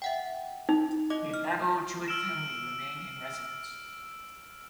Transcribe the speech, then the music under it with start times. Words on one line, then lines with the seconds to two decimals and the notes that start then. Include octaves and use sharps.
The Bagot Jewitt family remain in residence.
0.02 E5 F#5 G5
0.69 D#4
1.10 E4 D#5 D6
1.34 F6
2.08 E6 F6 D7 E7